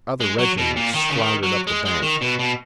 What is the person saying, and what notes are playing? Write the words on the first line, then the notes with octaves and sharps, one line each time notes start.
Other regiments floundered up the bank.
G#3
F#3
B2
A#2
D#3
C#3
D#3
F#3
G#3
G#3
D#3
B2
B2